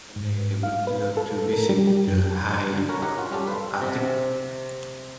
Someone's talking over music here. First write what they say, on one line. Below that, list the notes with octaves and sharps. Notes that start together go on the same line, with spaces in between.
One day, I would love to visit the high Arctic.
G#2
F5
B4
A4
A#4
G3
G4
F#2
D3
C#4 F#4 A#4 B4 F#5 G#5
D#4 F#4 G4 A#4 C#5 F#5
C#4 F4 F#4
G3 C#4 G4 A4
B4 C5 F5
C3